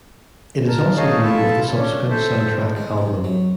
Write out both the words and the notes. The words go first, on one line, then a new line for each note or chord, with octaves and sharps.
It is also the name of the subsequent soundtrack album.
A#4 A5
D#4 G#4 C#5 D#5 F5 A5
E4 F4 A4 E5 A5
C#4 D4
A4 C5 E5
G#3
C3
F#3